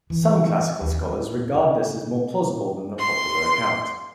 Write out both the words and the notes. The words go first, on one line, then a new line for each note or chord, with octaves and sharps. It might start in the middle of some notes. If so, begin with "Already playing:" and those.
Some classical scholars regard this as more plausible than the popular account.
E3
D#2
F2
C#3
C6